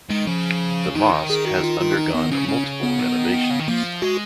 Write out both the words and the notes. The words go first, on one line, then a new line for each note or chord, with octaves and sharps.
The mosque has undergone multiple renovations.
D#3 G#3
C#3 F3
D#3 D#4
G#4
F#4
F4
F4
D#4
B3
C#3 C#4
C#4
B3
D#3
C#3
D#3
F3 A#3
G#3 F#4